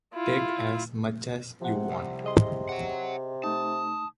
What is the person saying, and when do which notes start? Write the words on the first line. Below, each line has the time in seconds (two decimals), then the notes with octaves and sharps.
Take as much as you want.
0.15 E4 F4
1.61 C3 F3 F#5
1.91 C2
2.24 G#4 D#5 C6
2.69 C#5 F#5
3.44 A3 D#4 A5 D#6